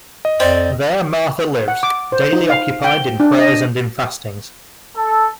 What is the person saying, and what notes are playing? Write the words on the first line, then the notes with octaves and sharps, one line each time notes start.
There Martha lived, daily occupied in prayers and in fastings.
D#5
F2 C4 D5
F#5
D6
C5
D#4
F5
G5
D4
D#5
A4